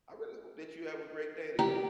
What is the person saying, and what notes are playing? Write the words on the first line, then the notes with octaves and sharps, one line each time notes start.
I really hope that you have a great day today.
G4 A#5